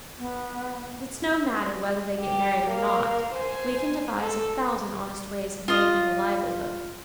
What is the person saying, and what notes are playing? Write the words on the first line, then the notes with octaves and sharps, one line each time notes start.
But it's no matter whether they get married or not: we can devise a thousand honest ways of making a livelihood.
B3
G4
A#3
C5 G#5
A4
F4 D#5